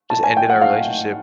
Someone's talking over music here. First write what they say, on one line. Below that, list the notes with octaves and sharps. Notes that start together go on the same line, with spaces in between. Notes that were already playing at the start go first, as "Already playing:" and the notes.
just ended our relationship.
A5
G#5
G5
F#5
F5